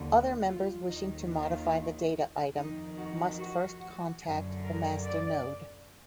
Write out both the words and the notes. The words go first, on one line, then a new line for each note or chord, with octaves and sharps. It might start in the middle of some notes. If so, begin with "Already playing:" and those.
Other members wishing to modify the data item must first contact the master node.
Already playing: D#2 D3
F4
D#2 D#3 D#4
F4
F2 D#3 D#4
F#4
F#4
F#4
F#2 D3
A#4
D5